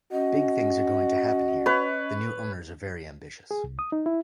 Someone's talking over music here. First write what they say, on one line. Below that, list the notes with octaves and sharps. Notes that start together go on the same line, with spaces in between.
Big things are going to happen here - the new owners are very ambitious.
C#4 F#4 D#5
B4 C#5
G#4
C2
D#6
D#4
E4